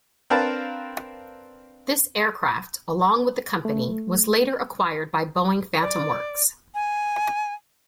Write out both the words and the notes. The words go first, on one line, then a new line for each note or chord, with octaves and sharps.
This aircraft, along with the company, was later acquired by Boeing Phantom Works.
C4 D4 A#4 B4 F5 A5
A3
D5
G#5